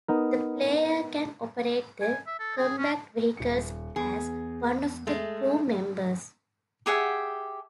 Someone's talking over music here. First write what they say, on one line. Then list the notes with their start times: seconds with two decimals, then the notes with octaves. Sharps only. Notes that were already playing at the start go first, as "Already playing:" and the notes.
The player can operate the combat vehicles as one of the crew members.
0.08 B3 D#4 A#4
2.01 G#5
2.27 E5
2.39 A4
2.57 G#4
2.78 C#4
3.37 D#1 C#7
3.96 E2 G#4
5.07 G#3 A3
6.86 G4 G#4 E5 F#5